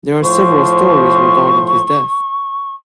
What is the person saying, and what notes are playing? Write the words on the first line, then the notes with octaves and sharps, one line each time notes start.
There are several stories regarding his death.
A2 F3 C5 C#6